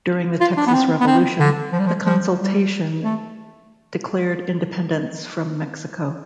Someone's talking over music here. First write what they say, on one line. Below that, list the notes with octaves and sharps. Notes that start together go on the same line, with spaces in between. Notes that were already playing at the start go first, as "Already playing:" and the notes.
During the Texas Revolution, the Consultation declared independence from Mexico.
F4
D4
B3
C4
B3
C4
D3
F3
G3
F3
F3
G3
A3